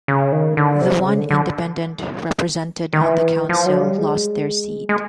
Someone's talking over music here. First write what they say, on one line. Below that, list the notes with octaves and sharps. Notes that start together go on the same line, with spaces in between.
The one independent represented on the council lost their seat.
C#3
D#3
D3
C3
C#3
D3
D3
D#3
E3
F3
F#3
G3
G#3
G#3